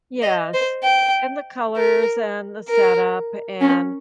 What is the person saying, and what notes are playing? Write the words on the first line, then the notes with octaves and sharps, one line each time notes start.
Yes, and the colors and the setup, and
D#5
C5
G5
A#4
A#4
C#4